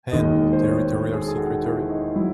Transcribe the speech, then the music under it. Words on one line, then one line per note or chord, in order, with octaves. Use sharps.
Hand, territorial secretary.
E1 D#2 D#3 G#3 D#5
C5
C#5
G#4
A4
G#4
F#4
E4
D#4
F#3 E4